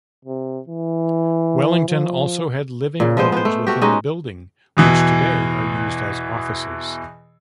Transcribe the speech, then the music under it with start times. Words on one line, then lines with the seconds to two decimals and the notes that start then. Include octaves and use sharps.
Wellington also had living quarters within the building, which today are used as offices.
0.25 C3
0.68 E3
1.88 F3
3.00 A#2 C#3
3.17 F3 G#3 B3 C5
3.32 B3 C5
3.45 A3
3.67 A3 F#4 G4
3.82 G#3 C#4 D#4 F#4
4.77 E2 B2 E3